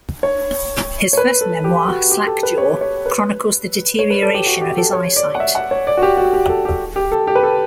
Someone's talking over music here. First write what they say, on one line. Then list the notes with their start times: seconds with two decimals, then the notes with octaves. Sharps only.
His first memoir, "Slackjaw", chronicles the deterioration of his eyesight.
0.23 C#5
1.13 C#5
1.17 B4
1.41 A4
1.64 G4
1.88 F#4
2.11 G4
2.27 A4
2.43 B4
2.58 C#5
2.81 C#5
3.06 B4
3.99 C#5
4.10 B4
4.22 A4
4.34 G4
4.46 F#4
4.61 G4
4.77 A4
4.93 C#5
5.16 D5
5.35 F#5
5.40 E5
5.55 F#5
5.71 C#5
5.87 D5
5.97 F#4
6.02 G4
6.17 F#4
6.33 G4
6.49 A4
6.65 G4
6.96 G4
7.12 A4
7.27 G4
7.35 B4
7.43 A4